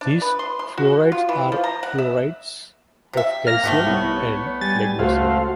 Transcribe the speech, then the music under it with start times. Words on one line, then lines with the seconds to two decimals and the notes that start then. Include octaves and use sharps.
These fluorides are fluorides of calcium and magnesium.
0.01 D4
0.21 B4
0.39 C6
0.59 C6
0.77 F#4
1.12 F4
1.29 E3
1.52 F3
1.64 A#5
1.83 F#5
1.98 E5
3.13 C3 E5
3.47 A#3 F6 A#6
3.64 G#2 A3 G4 F#5
3.87 C2 B3 C#5
4.61 G3 G#5 A6
4.99 C#2 A3 F#4 C5 F5